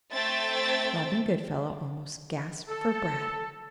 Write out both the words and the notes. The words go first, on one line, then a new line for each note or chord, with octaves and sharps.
Robin Goodfellow almost gasped for breath.
A3 C4 E5 G5 A6
A4